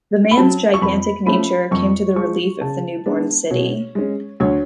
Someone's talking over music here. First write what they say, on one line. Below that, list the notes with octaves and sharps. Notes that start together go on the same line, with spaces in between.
The man's gigantic nature came to the relief of the newborn city.
B5
F#3 C#4 A5
C#6
F2 B5
F3 A3 C#4 B5
F2 C#6
F3 G#3 C#6
C#3 A5
G#3 B3 D4
B2 C#5
G#3 C#4
D2 C#5